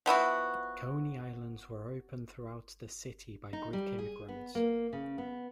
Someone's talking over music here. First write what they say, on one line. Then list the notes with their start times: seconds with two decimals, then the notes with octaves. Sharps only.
Coney Islands were opened throughout the city by Greek immigrants.
0.06 F3 B3 E4 F#4
3.53 D#4
3.73 G3
3.99 G#4
4.29 B3
4.55 A#3
4.93 C#3
5.18 B3